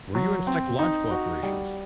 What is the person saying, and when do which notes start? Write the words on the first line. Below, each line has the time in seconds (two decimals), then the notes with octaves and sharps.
Were you in psychological operations?
0.15 F#3
0.47 C4
0.79 D#4
1.11 F#4
1.43 G3